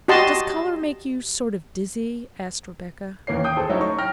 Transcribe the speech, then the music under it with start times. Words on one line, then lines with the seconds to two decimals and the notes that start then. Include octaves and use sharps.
"Does color make you sort of dizzy?" asked Rebecca.
0.08 F#4 G4 D#5 A5 C6
3.27 D#2 D#3 E3 A#3 C#4 C7
3.44 G5 D#6 G6
3.57 G#4 A4 C5
3.69 F#3 A3 C#4 D#4 E4
3.81 C#6
3.98 G5 F6 A#6